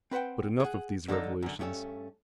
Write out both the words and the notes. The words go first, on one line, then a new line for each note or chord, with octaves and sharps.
But enough of these revelations.
C4 B4 C5 F#5 G5
G#4 F#5
D3 F3 F#3 D#4 A4
F#2 D3
G2 A3 C#4 G4 A4